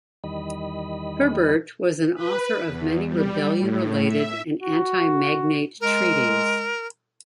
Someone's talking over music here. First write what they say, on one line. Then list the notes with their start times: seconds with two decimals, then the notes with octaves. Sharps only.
Herburt was an author of many rebellion-related and anti-magnate treaties.
0.24 E2 D#3 G3 D#5 B5
2.15 B4
2.66 E2
3.07 G3
3.58 A2
4.04 E5
4.58 F#4
5.81 G#3 A#4